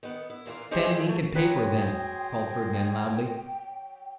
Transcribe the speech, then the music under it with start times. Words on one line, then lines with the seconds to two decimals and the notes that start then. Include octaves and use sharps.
"Pen, ink, and paper, then," called Fernand loudly.
0.03 D#3 B3
0.30 E4
0.46 A#2 E3 A#3 F4
0.71 D#4 E4 G4 G#4 C5
0.92 G#3 E4
1.06 A3 E4
1.35 F#3 G#4 B4 C5 D#5 G5